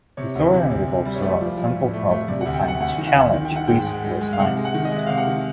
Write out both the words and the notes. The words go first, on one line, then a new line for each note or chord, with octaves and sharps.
The storyline revolves around simple problems designed to challenge pre schoolers' minds.
C3 C#5
D2
C3
D2
C3
G3
C#5
A3 D5
F3
F3
A2
A3
A3
C3 D5
F#5
D2
G5
D2 F#5
D2 F#5
D#3
F#5
D2
D#3
G5
D#3 F#5
G#2 G5
G#3
G#3
G#3
F5
C3 F#5
G#3
F#5
D#3
D#5
G#3 E5
C3 F5
F#5
D#3